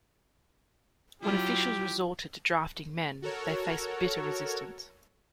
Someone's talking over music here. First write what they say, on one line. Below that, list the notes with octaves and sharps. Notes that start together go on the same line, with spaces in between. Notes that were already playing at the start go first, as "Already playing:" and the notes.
When officials resorted to drafting men, they faced bitter resistance.
F#3 E4 F4 G4
F#4 A4 A#4 C#5